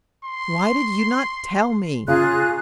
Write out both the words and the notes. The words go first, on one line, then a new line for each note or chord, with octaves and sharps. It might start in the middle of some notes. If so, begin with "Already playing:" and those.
"Why did you not tell me?"
C6
C#3 F4 G#4 A#5 F#6